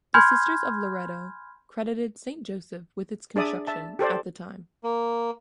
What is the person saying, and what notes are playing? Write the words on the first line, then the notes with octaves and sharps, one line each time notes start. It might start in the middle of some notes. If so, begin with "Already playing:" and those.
The Sisters of Loretto credited Saint Joseph with its construction, at the time.
G#5 B5 C6 F6 G6 G#6
D4 G#4 D5 E5 D#6
E5 A5
G4 A4 C5 D5
A#3